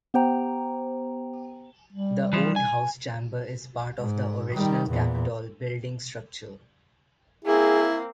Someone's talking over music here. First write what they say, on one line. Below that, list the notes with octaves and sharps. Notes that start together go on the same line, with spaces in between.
The Old House Chamber is part of the original Capitol building structure.
B3 G4 C5 G5 A#5
G3
E3 F3
G#5
G#2
D#3 G3
E2 A#2
A#3 C4 E4 G#4